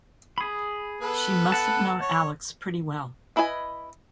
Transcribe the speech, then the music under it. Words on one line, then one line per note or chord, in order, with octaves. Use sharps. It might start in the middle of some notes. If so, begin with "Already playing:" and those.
She must have known Alex pretty well.
G#4 B5
B3 A4 B4
F#5 A5
C#5
D4 E4 B4 D#5 G#5